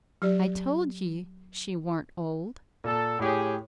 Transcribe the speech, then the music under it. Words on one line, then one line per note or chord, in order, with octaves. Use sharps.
"I told ye she wa'n't--old."
F#3 G4 D5
A#2 A4
A2 G4 G#4 C#5